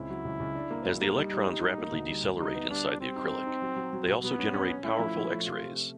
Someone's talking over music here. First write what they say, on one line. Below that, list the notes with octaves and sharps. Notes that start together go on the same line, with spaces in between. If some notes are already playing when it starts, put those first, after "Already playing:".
As the electrons rapidly decelerate inside the acrylic, they also generate powerful X-rays.
Already playing: C#2 C4 E4
F#3
C#2
C#2
D4
A#3
F#3
A#3
G3 D#4
G3
G3
G3
A#3
D2
G3
D2
G3 D#4
B3
G3 D4
B3
G3 C4
D#4
D#4
D#4
F#3
F#3
F#3
B2
F#3 B3
C#4
C#4
C#4
A3 E4
F3
F3
A3
C3 F4
C3